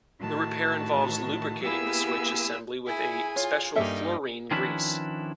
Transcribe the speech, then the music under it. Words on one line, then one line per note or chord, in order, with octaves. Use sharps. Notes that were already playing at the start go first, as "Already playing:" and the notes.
The repair involves lubricating the switch assembly with a special fluorine grease.
A2 D#3 F#4 A5
A#3 B3 E4 G4 G#4 E6
E4 G#4 G#5
F4 C#5
G2 A#3 D#4 A4 E5
D#3 F3 C#4 D4 E4 B4